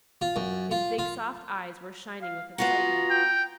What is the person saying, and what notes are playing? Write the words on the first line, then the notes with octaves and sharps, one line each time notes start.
His big soft eyes were shining with excitement.
F4
F#2
F4
F4
F5
B3 F4 F#4 A#5
G5